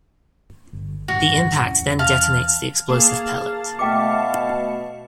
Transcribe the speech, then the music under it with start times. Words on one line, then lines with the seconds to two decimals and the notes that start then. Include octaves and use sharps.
The impact then detonates the explosive pellet.
0.73 G1
1.08 D1 G2 D#3 F#4
1.65 E2 E3 C#4
1.99 F5 A5
2.89 A#3 G#4 F5 A5
3.79 B2 A3 E5 G5 D6 C#7